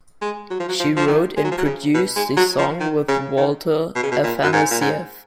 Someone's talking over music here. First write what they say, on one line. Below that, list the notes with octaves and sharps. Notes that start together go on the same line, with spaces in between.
She wrote and produced the song with Walter Afanasieff.
G#3
F#3
F3
F#3
F3
F3
D#3
G#3
F#3
F3
F#3
C#3
B2
G#3
F#3
F3
D#3
C#3
D#3
B2
C#3
B2
A#2
F#2
G#2
A#2
G#2